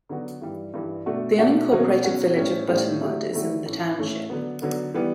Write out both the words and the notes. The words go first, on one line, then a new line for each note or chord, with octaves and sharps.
The unincorporated village of Buttonwood is in the township.
D3 F#3 B3 F#4
G2 E3 G3
G2 E3 G3
B2 A3 D4 F#4
B2 A3 D4 F#4
B2 F#3 C#4 F#4
B2 F#3 C#4 F#4
A2 G3 C#4
A2 G3 C#4
D3 F#3 A3 E4 G4
D3 F#3 A3 E4 G4
A2 E3 A3 C#4
A2 E3 A3 C#4
D3 F#3 B3
D3 F#3 B3
E3 G3 B3